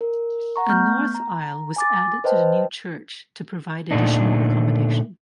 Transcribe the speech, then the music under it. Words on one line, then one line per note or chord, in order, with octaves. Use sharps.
A north aisle was added to the new church to provide additional accommodation.
A#4
F#5 A#5 C#6
A3 B3 C#6 F6 G6
A#5
G#5 D6 A6
B4 C5 D#5 G5 A5
A#2 D3 A3 D4 D#4